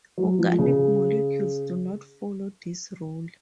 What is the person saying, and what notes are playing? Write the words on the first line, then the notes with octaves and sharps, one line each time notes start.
Organic molecules do not follow this rule.
F#3
F3
C#3